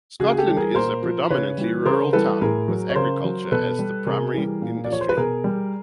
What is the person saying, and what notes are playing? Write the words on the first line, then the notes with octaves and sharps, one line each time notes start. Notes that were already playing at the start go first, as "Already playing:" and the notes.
Scotland is a predominantly rural town, with agriculture as the principal industry.
C#3 F#4 G#4
G#4
G4 A4
E3 G3
G#4 A#4
A#2 A#4 C5
F3
C#3 B4 C#5
E3 G3
C#3 A#4 C5
E3 G3 A4 B4
A2 G#4 A#4
F#3
C#5
C#3 A#4 C5
F#3
B2 A4 B4
G3
C3 G#4 A#4
E3 G3
A#2
D5
F3 C#5
C5
B4
B2 G#4 A#4
G3